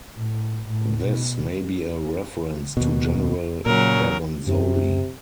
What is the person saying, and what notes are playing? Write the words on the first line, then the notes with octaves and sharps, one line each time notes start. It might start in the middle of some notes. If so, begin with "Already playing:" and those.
This may be a reference to General Bergonzoli.
A2
A2
B2
D#2 B2
A#2 C#3 F#3 A#4
F#2 C3